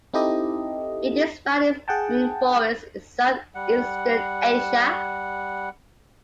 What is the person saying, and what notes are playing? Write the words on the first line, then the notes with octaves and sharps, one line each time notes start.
It is found in forests in south-eastern Asia.
C4 D#4 E4 G4 A4 D#5
G#4 F#5 G5 A5
G3 F#5